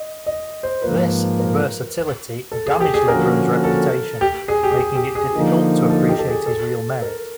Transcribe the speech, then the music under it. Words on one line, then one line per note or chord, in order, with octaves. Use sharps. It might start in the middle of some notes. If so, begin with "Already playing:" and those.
This "versatility" damaged Lebrun's reputation, making it difficult to appreciate his real merit.
Already playing: D#5
D#5
C5
G#2 F3 A#3 B4
A#4
A4
G#4
G4
G#4
D3 F3 A#3 C#4 F#4 A#4
A4
G4
G#4
G4
G#4
G4
G4
G#4
D3 F3 A#3 D#4
A4
G4
A4
G#4
A4
A#4